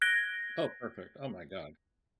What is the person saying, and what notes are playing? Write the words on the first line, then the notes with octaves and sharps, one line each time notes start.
Oh, perfect. Oh my god.
F#6 G#6 A#6 D7 G7